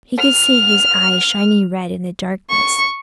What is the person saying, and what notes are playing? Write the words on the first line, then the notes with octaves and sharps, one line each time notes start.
He could see his eyes shining red in the darkness.
F6
C#6